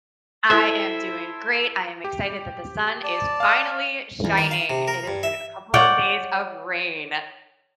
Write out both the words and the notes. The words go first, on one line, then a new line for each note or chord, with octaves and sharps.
I am doing great. I am excited that the sun is finally shining. It has been a couple of days of rain.
E4 A4 C5 E5
G4
D5 A5
F5 F6
E2
D#3
F5
C3
A#4
G2
E5
C#5 D5 F#5 G5